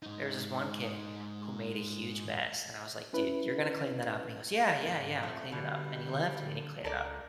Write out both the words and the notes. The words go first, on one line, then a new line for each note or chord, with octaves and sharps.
There was this one kid who made a huge mess, and I was like, "Dude, you're gonna clean that up?" And he goes "Yeah, yeah, yeah. I'll clean it up." And he left, and he didn't clean it up.
G#2 D#4
C#4 E4 B4
G#2 A#3
F2 A3
B2 D3 G3
C#2 A4 A#4 D5